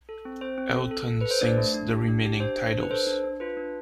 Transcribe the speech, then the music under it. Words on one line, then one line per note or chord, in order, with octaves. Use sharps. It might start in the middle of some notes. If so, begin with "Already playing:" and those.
Elton sings the remaining titles.
A4
C4
C4 C5
C4
A4
A4
A4
A4 B4
C5
D4 D5
A3
D4
G4
D4
G4
D4 C5
D4
D4
B4
A4 C5
D4
D4
F4 B4
D4